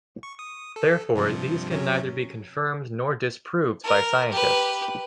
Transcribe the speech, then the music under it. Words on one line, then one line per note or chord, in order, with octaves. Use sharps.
Therefore, these can neither be confirmed nor disproved by scientists.
C#6
D#6
A4
G2 C3 F3
C3 F#3 C#4
A#4
G4 B4